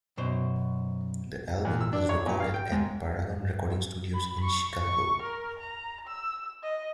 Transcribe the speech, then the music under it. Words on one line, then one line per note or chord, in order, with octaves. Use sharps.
The album was recorded at Paragon Recording Studios in Chicago.
F#2 B2 C5
E2
E6
D4
C#5
A#2
F5
G5
G#2
B5
C#6
C#6
A#4
A#5
E6
D#5